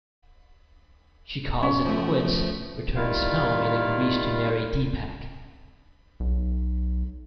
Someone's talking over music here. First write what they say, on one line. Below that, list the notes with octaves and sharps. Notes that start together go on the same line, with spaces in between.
She calls it quits, returns home and agrees to marry Deepak.
C#4
F3 A3
D#3 G3 E4 F4 F5
B1